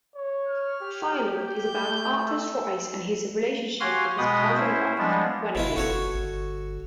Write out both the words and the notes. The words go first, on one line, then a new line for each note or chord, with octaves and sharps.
"Firelord" is about Arthur's rise and his relationship with his powerful wife, Guenevere.
C#5
F6
G4
G6
A3
E6
F#4 G4 F5 G#5 C6 F6
B2 G#3 B3 G5 B5 D#6
C#4 E4 C5
F3 G3 G#3 B3 D4
G1 B2 E4 F4
F#1 F#4 A4 C#5
G1